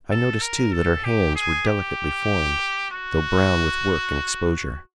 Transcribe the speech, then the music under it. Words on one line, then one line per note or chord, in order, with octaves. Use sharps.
I noticed too that her hands were delicately formed, though brown with work and exposure.
A4
A#4
A4
G4
G#4
G4
F#4